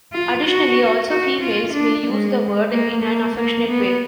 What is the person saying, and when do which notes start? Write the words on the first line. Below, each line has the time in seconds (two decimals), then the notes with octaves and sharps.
Additionally, also females may use the word in an affectionate way.
0.13 F4
0.44 F#4
1.10 F#4
1.42 F4
1.74 D4
2.07 G#3
2.71 A#3
3.04 A#3
3.35 A#3
3.68 B3